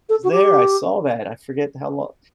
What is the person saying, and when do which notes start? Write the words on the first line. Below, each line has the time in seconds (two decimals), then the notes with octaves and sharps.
was there, I saw that, I forget how lo
0.09 A4
0.24 F#4
0.32 G4